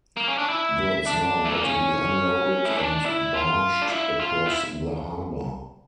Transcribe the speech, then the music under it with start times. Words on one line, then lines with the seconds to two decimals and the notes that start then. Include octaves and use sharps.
Goods now had to be unloaded and barged across the harbor.
0.17 A#3
0.28 C#4
0.38 D4
0.50 E4
1.07 D4
1.45 A3
1.55 A#3
1.64 C#4
2.65 E4
2.78 D4
3.06 E4
3.34 F4
3.82 D4
3.91 E4
4.20 F4
4.47 E4